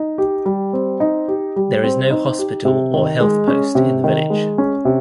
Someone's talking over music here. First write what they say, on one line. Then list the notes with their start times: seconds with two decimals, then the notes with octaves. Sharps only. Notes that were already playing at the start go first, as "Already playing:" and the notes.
There is no hospital or health post in the village.
Already playing: D#4
0.18 G4
0.46 G3
0.73 C4
1.00 D#4
1.28 G4
1.56 G3
1.84 C4
2.10 D#4
2.39 G4
2.65 C3
2.94 D#3
3.21 G#3
3.48 C#4
3.75 C3
4.04 D#3
4.30 G#3
4.58 C#4
4.85 C3